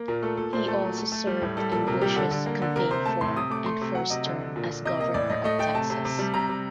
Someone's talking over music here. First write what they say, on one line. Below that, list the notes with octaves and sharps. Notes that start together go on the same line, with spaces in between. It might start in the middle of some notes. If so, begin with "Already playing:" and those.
He also served in Bush's campaign for and first term as Governor of Texas.
Already playing: A#3
A#2 A#4
A3 A4
A#2 A4
A#2 C5
A3 A4
F#3
A3
A3
G3
A2
G3 A4
A#2 A4
C3 A#4
G3 G4
D3 A4
D3
A#3
D3
C3 A#4
C3 C5
A3 A5
A2 C6
C3 D#6
A3 D6
A3 C6
C3
F#3 F#5
C3 D#5
D3
D3
A#2
A#2
C3 D#5
A#3 D#5
A2 D5
A2 D#5
A3 D#5
A3 G5
C3 A5
C3
C3
G3
C3 A#5
C3